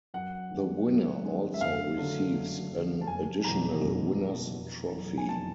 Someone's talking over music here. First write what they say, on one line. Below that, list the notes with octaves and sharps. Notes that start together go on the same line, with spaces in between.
The winner also receives an additional winner's trophy.
F#2 F#5
D#3 G#3 C#4
F#2
D#3 G#3 C#4
E5
F#1 F5
F#2 D3 F#3 A3
F#1
F#2 D3 F#3 A3
A5
F#1 G#5
E2 B2 A#5
F#1
E2 B2
F1
E2 B2 F#3
G#5
F1 A5